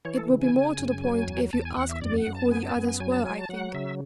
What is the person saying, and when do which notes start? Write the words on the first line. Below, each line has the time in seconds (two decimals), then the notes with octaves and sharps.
"It would be more to the point if you asked me who the others were, I think."
0.05 E3 C#5
0.17 A4
0.30 C#3
0.41 G#5
0.54 C#3
0.79 F#2
1.04 F#3
1.27 E2
1.53 E2 A5
1.65 G#5
1.77 E2 F#5
1.89 E5
2.01 F#2 D5
2.18 F#5
2.27 F#2
2.35 A5
2.51 B3 G#5
2.63 A5
2.75 F#2 G#5
2.88 G#5
3.00 F#3 G#5
3.12 A5
3.24 F#3 G#5
3.38 A5
3.49 F#3 F#5
3.74 C#3 E5